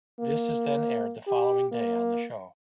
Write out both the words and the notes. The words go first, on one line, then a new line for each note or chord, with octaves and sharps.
This is then aired the following day on the show.
A#3
G4
A#3